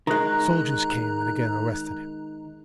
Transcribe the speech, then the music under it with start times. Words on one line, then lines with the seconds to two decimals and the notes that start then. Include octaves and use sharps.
Soldiers came and again arrested him.
0.07 D#3 G#3 A#5 F#6